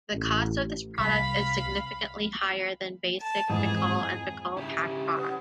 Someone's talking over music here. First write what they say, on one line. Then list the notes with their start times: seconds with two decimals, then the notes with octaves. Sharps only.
The cost of this product is significantly higher than basic Ficoll and Ficoll-Paque products.
0.13 A1
0.98 C2 F5 B5
3.20 A5
3.50 F2 G#2 E3 G#4
4.57 C#3 E4 G4
5.17 B3 C#4